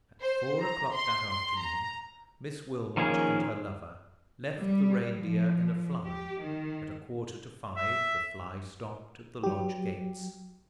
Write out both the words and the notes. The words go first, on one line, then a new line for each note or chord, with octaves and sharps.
At four o'clock that afternoon, Miss Wilmot and her lover left the Reindeer in a fly; at a quarter to five the fly stopped at the lodge-gates.
C5
A#5
C6
C6
A#5
D#3 F3 A#3 C#4 G#4
G3
F3
G4
D#3
E5
F#3 G4